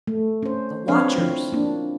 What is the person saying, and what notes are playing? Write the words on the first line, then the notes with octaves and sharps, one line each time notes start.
The watchers!
A3
C#4 C5
F3 C4 D4 B4 C#5 F5
F3 E4
A#3 D4